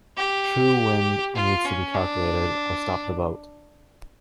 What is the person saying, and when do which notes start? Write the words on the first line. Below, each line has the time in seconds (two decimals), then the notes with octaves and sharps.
True wind needs to be calculated or stop the boat.
0.17 G4
1.35 F4
1.65 C#4
1.95 D4